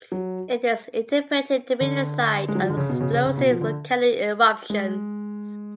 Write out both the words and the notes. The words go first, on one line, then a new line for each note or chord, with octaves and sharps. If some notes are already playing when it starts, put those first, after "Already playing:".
It is interpreted to be the site of explosive volcanic eruptions.
F#3
D3
G#3
F#3
F3
D3
C#3
B2
C#3
C#3
C#3
B2
F3
D3
G#3